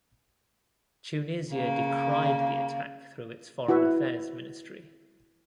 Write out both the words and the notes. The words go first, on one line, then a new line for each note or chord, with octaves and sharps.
Tunisia decried the attack through its foreign affairs ministry.
C#3 A#3
E4 F#4 B4 E5